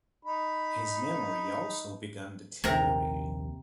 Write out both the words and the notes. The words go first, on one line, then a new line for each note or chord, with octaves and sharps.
His memory also began deteriorating.
D#4 B5
A#1 D#2 C3 A#4 A#5